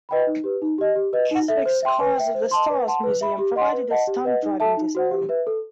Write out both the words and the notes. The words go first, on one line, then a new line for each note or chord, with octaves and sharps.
Keswick's "Cars of the Stars" museum provided a stunt driving display.
B4 D#5 G5 B5
D#4
G4 B4
D#4
G4 D#5
G4
B4 D#5
D#4
A4 E5
C5
E5 G5 C6
B4
E5 G5
C5
D#5 A5 C6
B4
F#5 A5 C6
B4
E5 B5
G4
D#5 F#5 C6
B4
D#5 F#5 A5
G4
B4 D#5 F#5
D#4
A4 E5 A5
D#4
F#4 C5 F#5
G4
B4 E5
A4